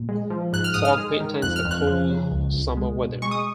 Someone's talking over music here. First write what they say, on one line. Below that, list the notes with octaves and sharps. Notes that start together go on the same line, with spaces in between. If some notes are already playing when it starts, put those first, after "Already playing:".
Fog maintains the cool summer weather.
Already playing: A#2
G#3
F3
G#2 F#6
F6
G#2 D#6
F6
G#3
D#3
F2 F#6
F6
F2
F#6
F3
C#3
C#2
C#2
G#3
B2
G#3 C#6
D#6